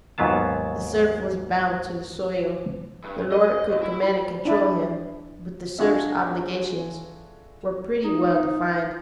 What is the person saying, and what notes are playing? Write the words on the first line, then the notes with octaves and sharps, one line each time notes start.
The serf was bound to the soil; the lord could command and control him; but the serf's obligations were pretty well defined.
D#2 G#2 F#3 B3 F4 A5
G2
D#5
D#2
E4
B5
D4 E4
D4 F4 F#4 G#4 A4 E5
D#4